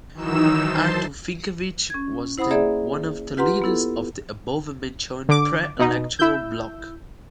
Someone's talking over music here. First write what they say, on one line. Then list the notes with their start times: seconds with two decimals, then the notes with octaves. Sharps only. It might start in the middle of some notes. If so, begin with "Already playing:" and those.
Artur Finkevich was then one of the leaders of the above-mentioned pre-electoral block.
0.14 D#3 E3 F#3 D#4 E6 E7
0.64 C5 A5 C6
1.90 C#4 G#6
2.38 E4 C5 F#5 B5 D#6
2.51 A#3 G#4 D5 E5
3.37 F4 G4 B4 F#5 A#5 C6
3.62 B3 E4 A4
5.29 D3 D6
5.79 B2 D#4
6.19 E4 E6 G6